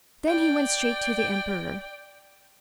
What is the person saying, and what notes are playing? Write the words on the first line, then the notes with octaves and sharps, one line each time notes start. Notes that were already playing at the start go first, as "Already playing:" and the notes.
Then he went straight to the emperor.
D5 G5